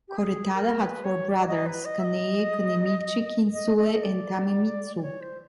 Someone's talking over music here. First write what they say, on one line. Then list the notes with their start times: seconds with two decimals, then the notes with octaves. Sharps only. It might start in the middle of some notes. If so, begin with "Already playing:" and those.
Koretada had four brothers: Kaneie, Kanemichi, Kinsue, and Tamemitsu.
0.08 G4
0.17 G#4
0.54 A#4
0.79 B4
1.04 C#5
1.28 D5
1.41 D5
1.48 D#5
1.66 B4
1.85 D#5
1.99 E5
2.04 D#5
3.53 D#5
3.78 D#5
3.86 E5
3.94 D#5
4.03 D5
4.97 D5
5.02 C#5
5.21 C5